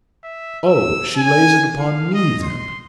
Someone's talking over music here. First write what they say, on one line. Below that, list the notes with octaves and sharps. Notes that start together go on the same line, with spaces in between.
'Oh!--She lays it upon me, then?'
E5
E6
G#5
F5
D#5
C6